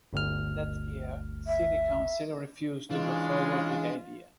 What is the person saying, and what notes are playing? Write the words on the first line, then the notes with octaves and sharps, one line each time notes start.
That year city council refused to go forward with the idea.
G1 D2 F6
E5
C#3 E3 G#3 D4 F4